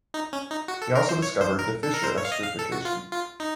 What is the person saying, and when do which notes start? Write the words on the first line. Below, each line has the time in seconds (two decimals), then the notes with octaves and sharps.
He also discovered the Fischer esterification.
0.14 D#4
0.33 C#4
0.51 D#4
0.68 F#4
0.82 A4
0.95 A#4
1.09 C5
1.22 C#5
1.41 C5
1.59 A#4
1.83 A4
1.94 A#4
2.04 C5
2.18 C#5
2.25 F5
2.32 D#5
2.44 F5
2.59 A4
2.72 F#4
2.85 F4
3.12 F4
3.40 D#4